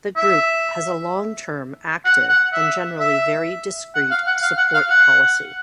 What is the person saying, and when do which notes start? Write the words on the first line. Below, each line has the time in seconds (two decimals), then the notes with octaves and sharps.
The Group has a long-term active and generally very discrete support policy.
0.17 E5
2.05 F#5
2.29 F#5
2.53 E5
3.00 E5
3.95 F#5
4.11 F5
4.27 F#5
4.42 F5
4.58 F#5
4.74 F5
4.90 F#5